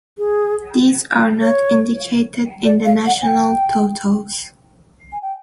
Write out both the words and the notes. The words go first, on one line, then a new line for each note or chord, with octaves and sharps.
These are not indicated in the national totals.
G#4
C#5
D5
F5
F#5
G#5
G5
G#5
G5